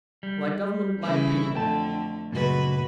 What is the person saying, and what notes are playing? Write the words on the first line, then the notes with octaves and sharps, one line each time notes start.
Like government, like people.
G3
C#3 E3 E4
F2 D3 A3 G5 A5
C#2 F#2 A#2 G#3 F#4 B4